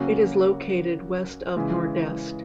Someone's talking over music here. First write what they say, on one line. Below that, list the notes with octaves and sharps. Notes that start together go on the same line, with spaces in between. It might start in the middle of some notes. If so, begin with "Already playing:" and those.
It is located west of Nordeste.
Already playing: C#3 F#3 A#3 C#4 F#4
C#3 E3 G#3